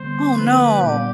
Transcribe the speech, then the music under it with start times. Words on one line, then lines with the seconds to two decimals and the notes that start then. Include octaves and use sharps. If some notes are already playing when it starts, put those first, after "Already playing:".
Oh, no.
Already playing: D3 G3 B3 C5
0.36 D3 F3 A#3 C#4 E4 B4
0.81 A#2 G3 B3 D4 G4